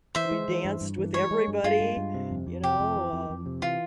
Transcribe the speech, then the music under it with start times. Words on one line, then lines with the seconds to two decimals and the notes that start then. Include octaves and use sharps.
we danced with everybody, you know, um,
0.15 E3 C5 E5
0.31 G#3
0.48 E3
0.65 G2
0.81 G2
0.98 E3
1.14 G#3 C#5
1.31 G#3
1.48 G2
1.64 G2 F4
1.80 G#3
1.97 G2
2.14 C3
2.30 F2
2.47 F2
2.63 C3 G4
2.80 F2
2.96 E3
3.13 F2
3.30 F2
3.46 C3
3.62 E3 F4